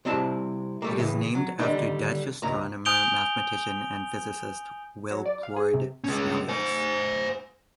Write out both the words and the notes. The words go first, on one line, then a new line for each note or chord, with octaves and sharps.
It is named after Dutch astronomer, mathematician and physicist, Willebrord Snellius.
C3 G3 C4 E4 F5 A5
G3 A3 A#3
A2 C#3 E3
F#3
D3 D#3 G3 G#3 D4 D#4
C#2 G2 A#5
G#5 D#6 G6 D7 F7 G7
F#3
D5
F5
G#4
C3
G#3 C#4
C5 G#5